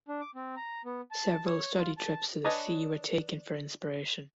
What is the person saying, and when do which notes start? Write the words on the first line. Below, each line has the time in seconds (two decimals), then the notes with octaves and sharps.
Several study trips to the sea were taken for inspiration.
0.08 D4
0.21 D6
0.35 C4
0.57 A#5
0.85 B3
1.11 A5
1.46 C#5
1.77 F4
1.97 A5
2.45 D4 B4 C#5 D#5 G#5